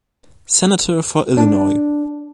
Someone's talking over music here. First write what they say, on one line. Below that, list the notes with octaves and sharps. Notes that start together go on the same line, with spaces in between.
Senator for Illinois.
D4